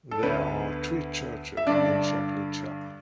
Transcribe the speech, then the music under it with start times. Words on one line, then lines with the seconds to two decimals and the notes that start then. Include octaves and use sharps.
There are three churches in Cerknica.
0.11 A4
0.22 D2 D3 B3 B4
1.57 E5
1.67 G2 D3 D4 D5